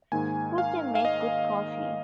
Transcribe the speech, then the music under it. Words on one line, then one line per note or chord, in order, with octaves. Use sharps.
Who can make good coffee?
G#2 D#3 A#3 G#5
F5
F5
D#5